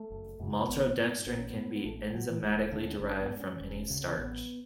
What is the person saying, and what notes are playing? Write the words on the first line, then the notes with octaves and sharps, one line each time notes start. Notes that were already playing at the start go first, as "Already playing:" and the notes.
Maltodextrin can be enzymatically derived from any starch.
Already playing: A3
F#1
F#2 C#3
G#1 B3
G#2
A1 B3
C#4
B3
G#2
B3
A1 A3
A3
A2 F#3
E3
E1 G#3
A3
D2 D3 A3
C#4
G#1 C#4
B3
G#2
C#4
E1
D2 C#3
C#4
A1 B3